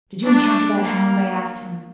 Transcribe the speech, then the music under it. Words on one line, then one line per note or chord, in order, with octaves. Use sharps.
'Did you encounter that hound?' I asked him.
D4
A#3